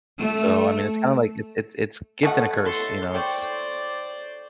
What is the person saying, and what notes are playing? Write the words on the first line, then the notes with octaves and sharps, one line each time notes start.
So, I mean, it's kinda, like, it's it's it's gift and a curse, you know? It's
A3
B2 A3 A4 F#5 B5
E4 A4 C#5 C6 B6
C5 D5 G5 C6 C#6